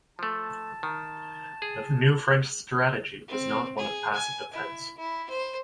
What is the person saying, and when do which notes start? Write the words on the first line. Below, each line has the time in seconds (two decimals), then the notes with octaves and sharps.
The new French strategy was not one of passive defence.
0.19 F3 A3 A5
0.83 D#3
1.62 G#4
3.28 C4
3.78 G#4
4.13 G#5
4.53 E4
4.97 E4
5.30 C5